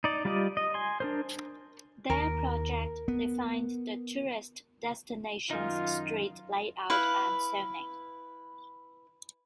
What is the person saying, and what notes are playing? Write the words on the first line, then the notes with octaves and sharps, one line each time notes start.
Their project defined the tourist destination's street layout and zoning.
D#4 D5
G3 F4 G4 D5 D#5
D#5
G#5 C6
D4 A#4 C5
D#2 A#4
B3
F#2 D#3 D#4 F4
E4 B4 F5